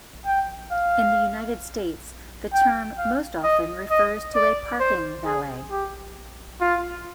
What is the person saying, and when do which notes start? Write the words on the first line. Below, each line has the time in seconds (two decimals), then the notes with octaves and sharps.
In the United States, the term most often refers to a parking valet.
0.26 G5
0.71 F5
2.53 G5
2.98 F5
3.43 D#5
3.90 D#5
4.35 D5
4.80 C5
5.26 G#4
5.71 G4
6.61 F4